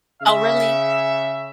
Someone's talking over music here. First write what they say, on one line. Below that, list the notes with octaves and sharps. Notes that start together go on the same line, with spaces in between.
Oh, really?
C#3 E5